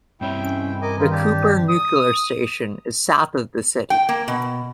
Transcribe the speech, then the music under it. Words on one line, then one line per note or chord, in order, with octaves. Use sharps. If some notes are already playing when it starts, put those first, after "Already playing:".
The Cooper Nuclear Station is south of the city.
G2 C4 E4 C#5 G5
C#4
A#4 D#5 G#5 D6
D#3 F4 B4
D4 G4
D#6
G5
A#3
B2